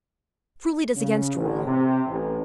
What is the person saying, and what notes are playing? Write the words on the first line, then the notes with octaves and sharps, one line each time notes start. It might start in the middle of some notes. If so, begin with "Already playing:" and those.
Truly it is against rule.
C#3
A1
C3
A1